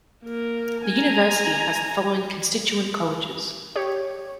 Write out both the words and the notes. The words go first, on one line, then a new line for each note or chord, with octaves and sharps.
The university has the following constituent colleges.
A#3 A#4
G#5 A#5
G4 C#5